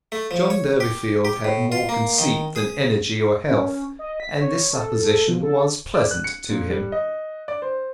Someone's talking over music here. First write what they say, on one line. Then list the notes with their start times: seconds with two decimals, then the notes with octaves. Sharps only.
John Durbeyfield had more conceit than energy or health, and this supposition was pleasant to him.
0.12 A3
0.31 F3
0.50 C#5
0.80 G4
1.25 G4
1.45 A2
1.72 F4
1.89 A#3
2.18 D#3
2.56 G#4
3.51 C#4
3.99 D#5
4.20 B6
4.41 C#5
4.73 A4
5.28 F3
5.43 A4
5.94 D5
6.11 F#6
6.24 C#7
6.49 A#2
6.70 G3
6.92 D#5
7.48 D5
7.62 C5